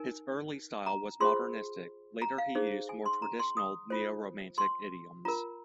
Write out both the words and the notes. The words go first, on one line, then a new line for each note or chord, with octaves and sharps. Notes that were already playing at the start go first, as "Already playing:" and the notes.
His early style was modernistic, later he used more traditional neo-Romantic idioms.
Already playing: D#4 A#4 G#5
A#5
F4 G#4 C5 C6
A#5
F5
D#4 G#4 C5
G#5
C6
A#5
C6
D#6
F4 C5
C6
F4 A#4 A#5